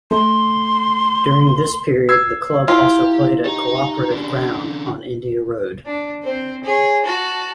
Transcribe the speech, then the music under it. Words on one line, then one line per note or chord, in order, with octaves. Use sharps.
During this period the club also played at Co-operative Ground on India Road.
A3 C6
E6 G#6 C7
E4 F4 G4
D#4 G4
C#3 D4
D4
C4 C5
G#4 C#5
F#4 A5